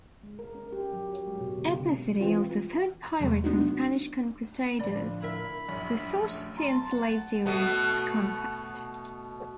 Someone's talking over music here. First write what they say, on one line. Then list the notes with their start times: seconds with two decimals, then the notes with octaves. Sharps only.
Ethnicity also fought pirates and Spanish conquistadors who sought to enslave during the conquest.
0.23 G#3
0.39 A#4
0.55 C#4
0.73 G4
0.93 F#3
1.13 C#5
1.27 G#3
1.41 B2
1.59 C#3
1.74 D3
2.21 E3 C4 F4
3.20 E2 C3 F#3 G#3 A3
3.44 G#3 B3 D4 D#4 F#4
4.79 A2 D3 F3 D5 B5
5.22 E4 A#4 E5 B5
5.68 A#1 F#2 F#3 C#4
6.13 A3
6.57 A5 A#5 C6
6.91 F#5
7.46 B2 A3 B3